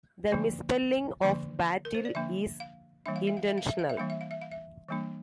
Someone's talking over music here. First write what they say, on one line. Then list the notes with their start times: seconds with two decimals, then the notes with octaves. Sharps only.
The misspelling of "Battel" is intentional.
0.31 D3 F3 A#3 D4
1.23 D3 F3 A#3 D4
1.85 A#4
1.95 C5
2.05 D5
2.15 D3 F3 A#3 D4 E5
2.60 F5
3.06 E3 G3 A#3 D4 E5
3.16 F5
3.27 E5
3.37 F5
3.47 E5
3.58 F5
3.69 E5
3.79 F5
3.89 E5
3.97 E3 G3 A#3 D4 F5
4.10 E5
4.21 F5
4.31 E5
4.42 F5
4.52 E5
4.89 E3 G3 A#3 D4